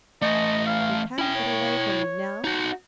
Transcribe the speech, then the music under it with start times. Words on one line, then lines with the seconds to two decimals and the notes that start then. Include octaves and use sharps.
You can't get away from me now.
0.22 E3 A3 D#5
0.67 F5
1.19 C#4 E4 G5
1.36 C#5
2.44 D#4 F#4